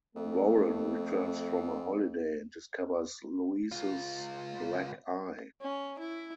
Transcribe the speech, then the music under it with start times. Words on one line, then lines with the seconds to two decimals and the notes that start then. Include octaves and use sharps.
Warren returns from a holiday and discovers Louise's black eye.
0.16 F2 A3
3.72 C#2 F4
5.62 C#4
5.99 E4